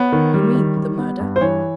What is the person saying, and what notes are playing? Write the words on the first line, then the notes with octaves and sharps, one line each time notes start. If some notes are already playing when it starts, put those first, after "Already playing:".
"You mean the--murder?"
Already playing: B3 C#5
D#3
G3
D#3
G3
B3
G2
C5
E3 C#5